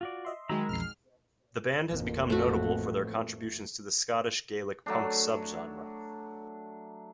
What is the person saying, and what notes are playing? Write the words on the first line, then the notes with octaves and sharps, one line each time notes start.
The band has become notable for their contributions to the Scottish Gaelic punk subgenre.
F4 F#4 D5
D#5 E5 C6
D#3 F#3 G#3 A#5 B5 E6
B1 F2 F6 C7
A1 F2 A#3
A3 F#4
F#3 A3 D4